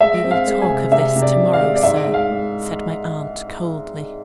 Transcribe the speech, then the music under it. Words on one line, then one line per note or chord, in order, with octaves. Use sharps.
'We will talk of this to-morrow, sir,' said my aunt, coldly.
G#3 E5
C4
F5
G#3
G#5
C3
C3 E5
C3
D5
C3
F5
G#3
D5
G#2 E5
G#3
F5
G#3